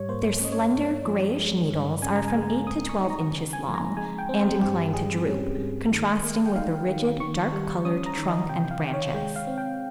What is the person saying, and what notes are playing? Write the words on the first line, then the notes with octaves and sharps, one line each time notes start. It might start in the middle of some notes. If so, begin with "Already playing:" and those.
Their slender, grayish needles are from eight to twelve inches long, and inclined to droop, contrasting with the rigid, dark-colored trunk and branches.
Already playing: G#2 G3 C#5
A#3 C5
C#4 D#5
C#5
G2
F3
G#3
G2
C#3 G#5
A#5
G#5
G#3
C4 D#6
C#6
D#4
A#5
C#3
G#5
F3
A#5
G#3 G#5
G5
C4
C5
G2 G4
G3 G#4
C#4
G2
D#3
A#3
G5
D#4 F5
D#3
D#3 C#6
G3
C#4 D#6
A#5
D#3
D#5
C3 G5
F5
D#3
C#5
G#3 G5
F5
C4
G5